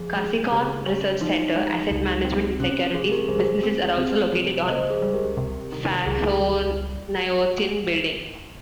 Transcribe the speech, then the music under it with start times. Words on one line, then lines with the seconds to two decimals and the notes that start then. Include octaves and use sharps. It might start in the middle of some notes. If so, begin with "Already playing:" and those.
Kasikorn Research Center, Asset Management and Securities businesses are also located on Phahonyothin building.
Already playing: F3 G#4
0.16 G#3
0.52 C#3 G4
0.86 C#4
1.21 F3 D#4
1.56 G#3
1.91 C#2
2.24 C4
2.60 C3 C#4
2.94 F3 G#4
3.11 G4 A#4
3.28 C#2 G#4 C5
3.63 C4
3.98 C3
4.33 F3
4.67 C#2 C5 D#5
4.90 G#4 C5
5.02 G3
5.13 G4 A#4
5.37 C3
5.72 D#3
6.06 C#2 G#4
6.40 G3